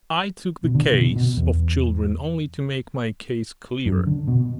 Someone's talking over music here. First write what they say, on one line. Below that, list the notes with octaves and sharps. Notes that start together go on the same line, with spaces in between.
I took the case of children only to make my case clearer.
B2
D3
D3
B2
B2
E2
F#2
D3
B2